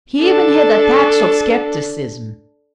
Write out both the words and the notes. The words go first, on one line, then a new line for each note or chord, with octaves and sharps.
He even had attacks of scepticism.
D4 A4